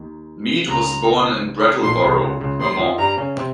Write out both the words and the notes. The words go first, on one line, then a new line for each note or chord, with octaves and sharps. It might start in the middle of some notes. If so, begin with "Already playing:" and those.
Mead was born in Brattleboro, Vermont.
Already playing: D#2 D#3
C#2 C#3 A#5
A#1 A#2 C6
C2 C3
C#2 C#3
C#2 C#3
D#2 D#3 C6
F2 F3
G2 G3 A#5
C#3 C#4
C3 C4